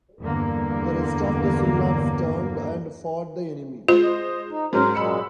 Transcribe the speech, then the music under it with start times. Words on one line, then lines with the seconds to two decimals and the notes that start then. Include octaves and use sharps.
The rest of the Sullans turned and fought the enemy.
0.21 E2 G2 D3 A#3
3.88 G#3 F4 C5
4.02 D#5
4.50 D#4
4.73 G#2 F#3 C#4 A#4 C5
4.95 A#2 F#3 G#3 B5 E6 C#7